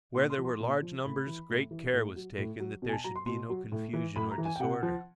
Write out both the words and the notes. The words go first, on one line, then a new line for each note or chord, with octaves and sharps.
Where there were large numbers great care was taken that there should be no confusion or disorder.
A#2 C6
C6
F3
C6
A#2
F3
A2 B5
E3
A2
E3
A2
F#3
A2
F#3
B2
G#5
A5
F#3 A#5
C6
B2 C6
F#3
A2
E3
A2 B5
A#5
E3
G#5
G5
C3 F#5
F3